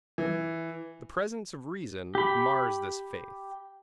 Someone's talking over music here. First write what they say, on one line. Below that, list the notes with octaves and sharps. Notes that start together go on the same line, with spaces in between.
The presence of Reason mars this faith.
E3
G4 B5